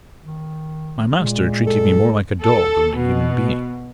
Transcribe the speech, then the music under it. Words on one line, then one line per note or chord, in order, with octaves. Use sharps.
My master treated me more like a dog than a human being.
D#3
A#2 G#3
A4
A4
B2